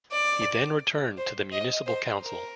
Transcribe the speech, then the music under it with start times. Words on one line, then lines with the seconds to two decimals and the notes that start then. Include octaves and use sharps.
He then returned to the municipal council.
0.12 D5
1.18 C5
1.52 D#5
1.87 C5
2.23 A#4